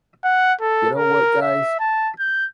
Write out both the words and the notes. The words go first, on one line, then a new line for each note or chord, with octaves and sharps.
You know what, guys?
F#5
A4
A#4
E5
A5
G6